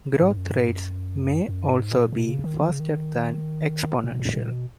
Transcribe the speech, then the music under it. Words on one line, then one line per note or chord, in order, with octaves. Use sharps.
Growth rates may also be faster than exponential.
G#2
F#2
G#2
F#2
F#2
G#2
A#2
B2
C#3
D#3
D#3
C#3
D#3
B2
A#2
A#2
B2